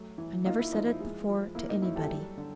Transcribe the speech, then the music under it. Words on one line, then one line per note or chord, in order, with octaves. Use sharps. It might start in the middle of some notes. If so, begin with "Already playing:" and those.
I never said it before--to anybody.
Already playing: F#3 A3
E3
A#3 D#4 F4
E4
F3 D#4
E4
G#3
F3
A#3 E4
D#4
F#3 E4
G4 A4
G3
D3